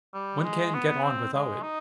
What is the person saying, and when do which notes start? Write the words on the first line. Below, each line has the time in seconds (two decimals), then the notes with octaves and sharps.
One can't get on without it.
0.14 G3
0.44 G#3
0.74 B3
1.04 C4
1.33 G#3
1.63 D#4